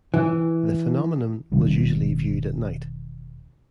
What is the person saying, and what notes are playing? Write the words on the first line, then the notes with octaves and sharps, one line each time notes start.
The phenomenon was usually viewed at night.
E3
E1 C3 D#3 G3